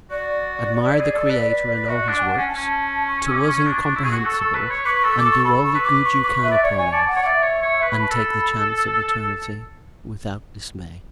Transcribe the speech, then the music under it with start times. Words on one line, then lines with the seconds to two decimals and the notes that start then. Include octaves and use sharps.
Admire the Creator, and all his works, to us incomprehensible: and do all the good you can upon earth; and take the chance of eternity, without dismay.
0.11 F#4 D5
0.85 E4
1.00 G#4
1.14 A4
1.30 B4
1.89 F#4 E5
1.93 D5
2.08 D4
2.18 G#5
2.22 F#5
2.28 D4
2.37 C#4 G#5
2.48 A5
2.56 C#4
3.08 C#6
3.27 E6
3.31 D6
3.47 C#6
3.67 D4
3.81 D4
3.96 E4
4.04 G#4
4.11 F#4
4.25 A4
4.40 A4
4.55 B4
4.70 C#5
4.85 B4 D6
4.90 C#6
5.05 A4
5.19 D6
5.25 A4
5.31 C#6
5.44 A4 B5
5.64 C#6
5.75 B4
5.84 D6
6.04 C#6
6.23 D6
6.28 C#6
6.43 E5
6.52 D5
6.63 C#5 D5
6.78 C#5 G#5
6.92 D5 A5
7.07 D5 F#5
7.16 C#5
7.23 D5 F#5
7.26 E5
7.42 C#5
7.63 C#5
7.82 B4 C#6
7.92 B5
8.02 A5
8.11 A4 B5